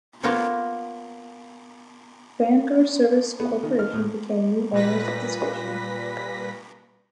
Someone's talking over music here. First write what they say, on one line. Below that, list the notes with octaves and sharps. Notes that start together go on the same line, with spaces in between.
Vanguard Service Corporation became new owners of the station.
A#3 B3 F4 A#4 C5 C#5
B3
D#3
F6
A2
A#2 G3 B4 A#6 B6